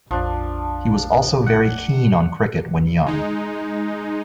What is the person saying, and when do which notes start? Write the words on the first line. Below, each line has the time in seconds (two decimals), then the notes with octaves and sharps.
He was also very keen on cricket when young.
0.11 A#1 F2 F3 D4
1.46 F#5
3.06 G#3 D#4